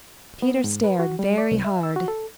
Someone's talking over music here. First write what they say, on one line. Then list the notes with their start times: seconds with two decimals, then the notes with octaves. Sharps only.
Peter stared very hard.
0.42 B3
0.64 G#2
0.84 B4
0.99 F#4
1.19 G3
1.38 D5
1.51 C2
1.65 E5
1.83 E6
1.96 F#4
2.08 A4